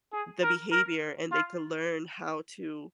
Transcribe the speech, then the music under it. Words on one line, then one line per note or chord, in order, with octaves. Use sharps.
the behavior and they can learn how to
G#4
A#4
A#4
F4